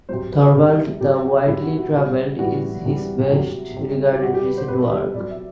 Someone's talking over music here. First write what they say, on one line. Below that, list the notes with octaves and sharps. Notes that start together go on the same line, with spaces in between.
Thorvald the Widely-Travelled is his best regarded recent work.
C3 F#3 C5
B4
C3 G3
C3 F#3 G4
F#4
C3 F#3 E4
F#4
F#4
B2 G3
A2 E3 G3 F#4
C3 E3 G3
C3 F#3
C3 G3
G4
B2 G3 F#4
G4
B4
C5
C3 G3 B4
A4
G4
A4
C3 F#3 D5
E5